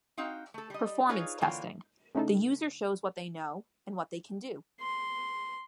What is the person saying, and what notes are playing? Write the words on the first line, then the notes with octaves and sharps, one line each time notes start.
Performance testing - The user shows what they know and what they can do.
C4 D#4 F#4 F5 G5
A3 A4
G3 D#5
D#4 F4 G#4 B4 C#5 F5
D3 E3 A#3 F4 C#5 G5
C#3 A3 C#4 D#4 E4 A4
C6